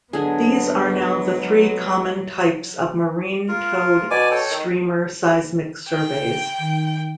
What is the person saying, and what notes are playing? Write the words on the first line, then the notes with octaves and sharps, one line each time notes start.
These are now the three common types of marine towed streamer seismic surveys.
D3 F#3 G#3 B3 G#4
F4 A#4
B2 D5 G#5 D6
A4 C#5 G5
D#3
G5
D#3